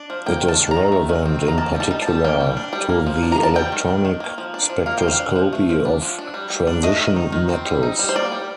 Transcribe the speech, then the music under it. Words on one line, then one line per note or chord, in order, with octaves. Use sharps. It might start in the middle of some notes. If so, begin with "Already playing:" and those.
It is relevant, in particular, to the electronic spectroscopy of transition metals.
Already playing: D4
F3
A#3 G5
D#3
A5
D4
A#5
D#3
A3
D#3
C4
D#3
A#5
A#3 A5
G3
A5
D#4
A5
G3
A#3 G5
G3
D4
G3
A#3
F3
D4
A#5
F3
A5
G3 G5
D#3
D4
D#3
A#3
F3
D4
F3
A#3 F5
F3 G5
F5
D4
F3
A3
F3
D4
F3
D4
G3
G3
D4
A3 D#5
D#3
D#4
D#3
C4
G3
D#4
G3
C5
A#3 D5
G3